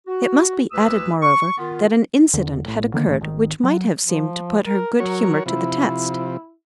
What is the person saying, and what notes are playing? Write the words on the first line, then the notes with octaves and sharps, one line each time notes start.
It must be added moreover that an incident had occurred which might have seemed to put her good-humour to the test.
F#4
D2 B4 D#6 E6
C#6
D#3 B3 F4
E2 D3
A1 A2
D3 D#3 A#3
C#2 A2 D#3 A3
G#1 D#3
F#3
F3
A#4
F#3 F#4 A#4 C#5
C3 F3 E4